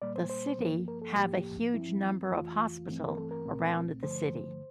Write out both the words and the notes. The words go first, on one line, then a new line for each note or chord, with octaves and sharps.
The city have a huge number of hospital around the city.
A#2 G3 A#3 D5
C5
C5
G2 F3 A#3
A#4
A4
A2 F3 A#3 G4
G2 F3 C4 E4
F2 E3 A3 F4
G2 E3 A3 C4
A#4
A4
A#4
C2 A#2 A3 C4
G2 D3 F3 A3 C5